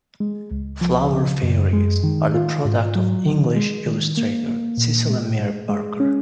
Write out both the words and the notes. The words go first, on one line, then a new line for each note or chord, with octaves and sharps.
Flower Fairies are the product of English illustrator Cicely Mary Barker.
G#3
C#2
F3
C#3
F#2
G#3
D#3
F4
G#2
F#3
D#3
G#3
D#3
A#3
A#3
A#2
G#3
G#3
G#3
C#4